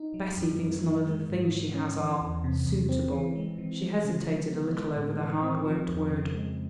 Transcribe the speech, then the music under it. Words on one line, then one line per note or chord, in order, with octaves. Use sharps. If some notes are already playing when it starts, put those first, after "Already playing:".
"Bessie thinks none of the things she has are--suitable." She hesitated a little over the hard-worked word.
Already playing: D#4
F#3
F#2
D#3
A#3
G#3
G#2
E3
C#4
E3
E2
C3
E2
C4
E3
G#3
E3
G#3
C#3
F3
B3
G#3
A2
E3
C4
F3
F2
C#3
G#3